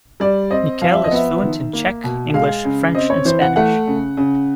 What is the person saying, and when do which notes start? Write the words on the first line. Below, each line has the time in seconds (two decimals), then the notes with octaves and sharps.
Nykl is fluent in Czech, English, French and Spanish.
0.20 G3 D5
0.50 C4 D#5
0.81 F3 F5
0.93 E5
1.04 D#5
1.11 B3 E5
1.43 D#3
1.73 A#3
2.04 B2
2.34 G#3 F5
2.64 C#3
2.95 C4 D#5
3.10 C#5
3.25 E3 C5
3.42 F#5
3.56 A3 F#5
3.87 C#3
4.17 C#3